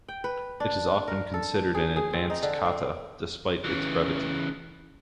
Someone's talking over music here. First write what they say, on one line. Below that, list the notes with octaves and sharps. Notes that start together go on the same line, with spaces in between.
It is often considered an advanced kata, despite its brevity.
G5
B4
D4
A#4
A4
G#4
G#4
C4
D#4
D3
C4
C#3 E3